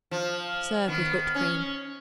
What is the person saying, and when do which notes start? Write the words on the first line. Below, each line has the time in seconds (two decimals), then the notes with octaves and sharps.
Serve with whipped cream.
0.11 F3
0.88 D#3 B3
1.35 C#4